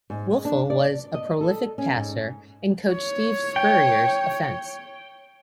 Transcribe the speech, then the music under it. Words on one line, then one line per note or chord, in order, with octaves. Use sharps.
Wuerffel was a prolific passer in coach Steve Spurrier's offense.
G#2
G#3
D4
D5
D#5
A4
C#4
G#2
C#5
G5